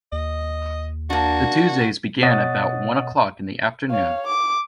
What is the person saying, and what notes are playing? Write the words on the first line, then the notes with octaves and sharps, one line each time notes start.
The Tuesdays began about one o'clock in the afternoon.
D#2 D#5
A#3 D4 F#4
B2 C#5 D#5 F#5 D#6 A6
C#5 F5
D6